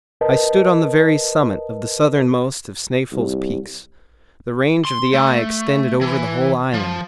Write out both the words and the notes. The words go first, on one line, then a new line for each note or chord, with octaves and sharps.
I stood on the very summit of the southernmost of Snaefell's peaks. The range of the eye extended over the whole island.
A#4 B4 D#5 A5
C2
C6
A3
E3
F3